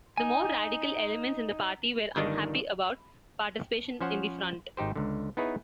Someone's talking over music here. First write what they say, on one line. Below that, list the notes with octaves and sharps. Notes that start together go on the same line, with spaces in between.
The more radical elements in the party were unhappy about participation in the Front.
D#4 G#5
G1 D#3 D4 D#4
F3 C#4 C5 C#5 F#5
G#1 D#4 G4 C5
C#2 D3
B3 D#4 E4 G#4 B4 C#5